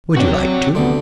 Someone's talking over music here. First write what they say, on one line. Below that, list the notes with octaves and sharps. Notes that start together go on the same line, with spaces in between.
"Would you like to?"
C3 E3 D4 F#4 C#5
F#3
D2 D3 G3 B3